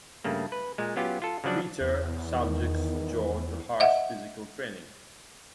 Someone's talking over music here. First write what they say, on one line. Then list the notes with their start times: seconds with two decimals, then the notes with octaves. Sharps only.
Peter subjects Joe to harsh physical training.
0.24 G2 C#3 A3 A#3
0.52 B4
0.78 A#2 G#3
0.96 F#3 B3 C#4 F4 G4
1.22 F4 A4
1.44 C#3 F3 F#3 D4 D5
1.80 E2
2.34 D#3
3.80 D#5 E5 F#5